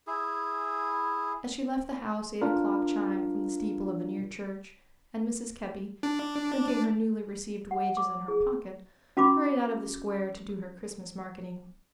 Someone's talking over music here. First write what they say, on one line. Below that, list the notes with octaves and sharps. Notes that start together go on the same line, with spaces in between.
As she left the house eight o'clock chimed from the steeple of a near church, and Mrs. Kebby, clinking her newly-received wages in her pocket, hurried out of the square to do her Christmas marketing.
E4 G#4
D4 F4 A#4
D4
F#5
D6
G#4
C#4 F#4 B5 D6